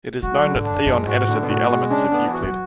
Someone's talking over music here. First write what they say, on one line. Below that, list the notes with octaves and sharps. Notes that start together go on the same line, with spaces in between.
It is known that Theon edited the "Elements" of Euclid.
G#3 F#4
F#3
D3
G#2
D4
F#2
F#2 G#3
G#2 F#4
A2 D3
B2
A2 F#4
B2 G#3
C#3 D4
D3 B3
E3
F#4
F#3